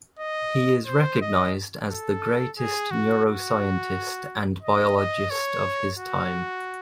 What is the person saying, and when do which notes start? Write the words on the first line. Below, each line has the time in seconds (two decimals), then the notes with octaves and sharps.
He is recognized as the greatest neuroscientist and biologist of his time.
0.19 D#5
0.87 C5
1.22 D#5
1.89 A4
2.57 G#4
2.91 F#4
3.25 F#4
4.62 D#5
4.97 D#5
5.30 C#5
5.99 F#4